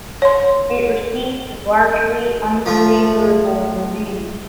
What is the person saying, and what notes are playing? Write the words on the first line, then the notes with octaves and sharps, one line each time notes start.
It received largely unfavorable reviews.
C#5 C6
F3 A3